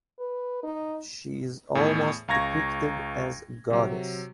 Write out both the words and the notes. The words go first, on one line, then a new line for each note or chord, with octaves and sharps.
She is almost depicted as a goddess.
B4
D#4
E2 A2
C#2 F5 A#5 C#6 G#6 A#6
C3 F#3